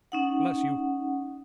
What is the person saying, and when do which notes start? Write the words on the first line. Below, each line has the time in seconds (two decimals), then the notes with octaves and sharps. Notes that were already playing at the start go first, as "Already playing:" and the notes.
Bless you!'
0.12 C#4 D#4 F#5